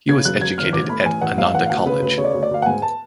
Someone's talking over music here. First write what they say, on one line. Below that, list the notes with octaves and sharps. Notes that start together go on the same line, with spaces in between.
He was educated at Ananda College.
C#3 G#6
F#2 F#6
F#2 G#6
G#1 F6
A1 D6
A3 B5
A1 G#5
A1 F#5
G#2 F5
A1 F#5
F5
D2 F#5
C#3 B4
D2 B4
C#3 C#5
D5
D2 C#5
D5
D2 F5
F#5
G#2 G#5
A5